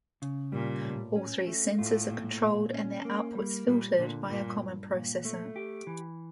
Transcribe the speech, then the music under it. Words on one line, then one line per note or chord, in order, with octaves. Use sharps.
All three sensors are controlled and their outputs filtered by a common processor.
C#3
A#2 G3
A2
C#4
A3
A2 F4
A#2
A#2
C#4
A#3
G3
A#2 G3
A#2 D3
G2 A#2
G2
A#2
A3
G4
E3